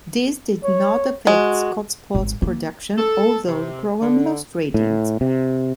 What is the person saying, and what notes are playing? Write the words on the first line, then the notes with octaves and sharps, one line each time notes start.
This did not affect "Scotsport's" production, although the programme lost ratings.
C#5
G#3 F#4
G#1
A#3
A4
C3
D3
A2
C3